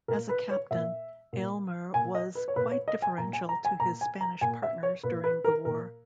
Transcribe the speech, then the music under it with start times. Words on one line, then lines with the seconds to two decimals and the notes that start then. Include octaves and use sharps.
As a captain, Aylmer was quite deferential to his Spanish partners during the War.
0.08 A#2 A#4
0.29 B4
0.51 C#5
0.71 A#2 E5
1.33 A#2
1.94 A#2 G#5
2.15 D#5
2.35 B4
2.48 C#5
2.56 A#2 B4
2.71 C#5
2.88 D#5
3.02 G#5
3.18 A#2 A#5
3.33 G#5
3.49 A#5
3.65 G#5
3.80 A#2 A#5
4.01 G#5
4.21 A#5
4.41 A#2 G#5
4.63 E5
4.83 C#5
5.03 A#2 B4
5.24 B4
5.44 A#4
5.65 A#2 A#4